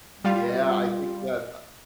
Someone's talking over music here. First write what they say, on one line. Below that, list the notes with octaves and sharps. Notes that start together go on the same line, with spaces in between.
Yeah, I think that, uh
G3 F4